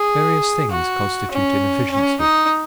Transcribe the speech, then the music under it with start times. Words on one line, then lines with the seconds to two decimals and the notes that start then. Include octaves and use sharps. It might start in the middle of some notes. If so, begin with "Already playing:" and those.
Various things constitute inefficiency.
Already playing: G#4
0.71 F#4
1.31 C#4
1.90 C#4
2.20 D#4